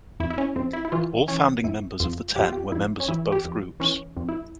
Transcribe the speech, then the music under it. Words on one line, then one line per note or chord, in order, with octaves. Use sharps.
All founding members of The Ten were members of both groups.
F2 E4
E4
C#4
F2 C4
E4
E4
E3 F4
E3 C#4
F2 E4
F2 F4
F2 G4
F4
G4
F2 E4
C#4
E3 E4
G4
F2
E3 C#4
F2
E4